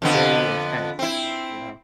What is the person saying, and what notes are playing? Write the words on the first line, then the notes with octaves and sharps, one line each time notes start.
very intense over there, you know?
F2 D3 B3
C4 E4